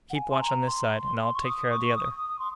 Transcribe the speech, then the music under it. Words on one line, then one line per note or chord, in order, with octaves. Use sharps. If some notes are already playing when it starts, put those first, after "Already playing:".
"Keep watch on this side, and I'll take care of the other."
F#5
G#5
C6
A#5
C6
C#6
D#6
C#6
D#6
C6